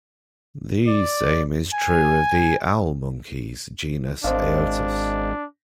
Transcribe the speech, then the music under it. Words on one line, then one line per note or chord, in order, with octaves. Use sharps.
The same is true of the owl monkeys, genus "Aotus".
D5
G#5
G#1 D4 C5 D#5 F5